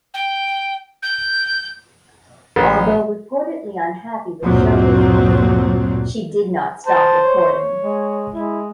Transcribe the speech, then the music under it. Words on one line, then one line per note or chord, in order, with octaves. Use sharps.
Although reportedly unhappy with show business, she did not stop recording.
G5
G6
A1
D2 G2 A#2 F#3 A#3 C4
C5 A5
C#5
G#3
G#3 E4